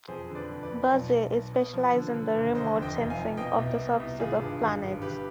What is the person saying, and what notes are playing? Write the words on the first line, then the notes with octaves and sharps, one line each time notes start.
Bussey is specialized in the remote sensing of the surfaces of planets.
F2 G#4 C5
D3
B4 D5
F2
B4 D5
F2
B1
B1
B1
B2
F3
D3
D3
D2
D3 C5 D#5
F1
D#5 G5
F1
F5 G#5
F2
B2 D#5 G5
C2
B2
C2
G#1 F4 G#4
G2
G#1
G2
G1 G4 B4